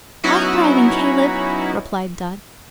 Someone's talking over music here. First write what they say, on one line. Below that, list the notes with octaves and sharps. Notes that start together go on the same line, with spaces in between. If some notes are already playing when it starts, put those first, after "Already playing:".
"All thriving, Caleb," replied Dot.
F#3 B3 C#4 D#4 E4 F#4